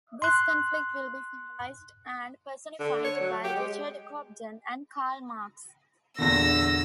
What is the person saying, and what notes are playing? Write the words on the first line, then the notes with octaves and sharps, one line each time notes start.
This conflict will be symbolised and personified by Richard Cobden and Karl Marx.
C6 F#6
D3
C#5
F#3
G4
G#3
E2 A#2 D3 E6 A#6